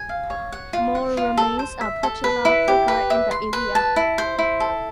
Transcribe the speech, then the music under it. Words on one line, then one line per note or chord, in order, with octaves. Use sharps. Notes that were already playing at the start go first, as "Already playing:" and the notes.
Mao remains a popular figure in the area.
Already playing: G#5
F5
C#5
F#5
F4
F#5
F4
A4
C5
E5
A4
B4
E4
G4
B4
E5
C6
B4
A5
E4
C5
E4
A4